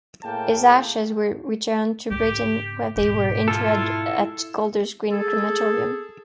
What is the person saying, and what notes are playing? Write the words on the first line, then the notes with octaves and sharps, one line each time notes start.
His ashes were returned to Britain where they were interred at Golders Green Crematorium.
A2 A#3 G#4 G5 A5
G#2 C#3 G4
G#2 B2 G4
E4 F4 A4
G#4 A4